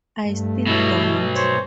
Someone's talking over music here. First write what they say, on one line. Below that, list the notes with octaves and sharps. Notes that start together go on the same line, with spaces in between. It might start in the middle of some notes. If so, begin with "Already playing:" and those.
I still don't.
G2 A3
B2 F#3 E4
C5 C#5